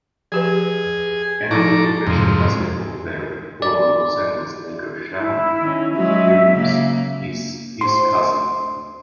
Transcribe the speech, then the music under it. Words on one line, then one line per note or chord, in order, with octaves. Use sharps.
Another professional basketball player, former Los Angeles Laker Shammond Williams, is his cousin.
F3 G4 G#4 B4
F3 D#4 E4 A4 A#5 D6
F2 G#2 C3
D5
E4
D#3 C#4
F#3 G#3 C#4 E5
C#3 A#3
D2 F#4 C5 C6